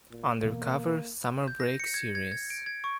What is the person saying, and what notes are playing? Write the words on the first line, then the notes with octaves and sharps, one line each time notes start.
Undercover: Summer Break series.
A#2
B2 E3 A#3 B3
G6
A#6
C#7
G#6
G#6
G#6
D7
G#6
C#6